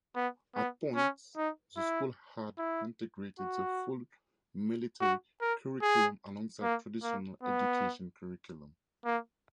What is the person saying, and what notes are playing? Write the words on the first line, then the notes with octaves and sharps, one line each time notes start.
At points the school had integrated the full military curriculum alongside traditional education curriculum.
B3
B3
C#4
D#4
E4
E4
F#4
F#4
A#4
G#4
A#3
A#3
B3
A#3